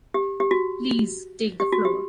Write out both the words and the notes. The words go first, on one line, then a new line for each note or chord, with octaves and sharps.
Please, take the floor.
G4
G4
F#4
G4
F#4
G4